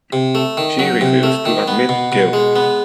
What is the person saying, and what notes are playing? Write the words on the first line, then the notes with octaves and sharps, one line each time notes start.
She refused to admit guilt.
C3
A3
D#3
F#3
C3
A3
D#3
B3
B2
B2
G#3
B3